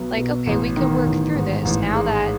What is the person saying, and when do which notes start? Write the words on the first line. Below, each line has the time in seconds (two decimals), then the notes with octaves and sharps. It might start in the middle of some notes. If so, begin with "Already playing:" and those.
Like, "Okay, we could work through this now that
Already playing: B1 F#3 B3
0.17 B2
0.47 A1
0.76 D#3
1.06 A1
1.36 G#2
1.65 A1
1.94 G#3